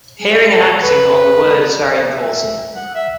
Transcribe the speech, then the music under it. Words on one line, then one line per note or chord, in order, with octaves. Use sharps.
Hearing and acting on the Word is very important.
G#4
A4
B4
E5
F#5
E5